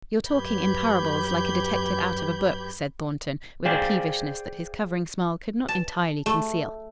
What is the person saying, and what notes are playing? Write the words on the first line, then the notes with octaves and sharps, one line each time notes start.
"You're talking in parables, like a detective out of a book," said Thornton, with a peevishness that his covering smile could not entirely conceal.
F#2 G4 B4 B5 G6 G#6
G#4 C5 D5 F5 G5 G#5
A5
A3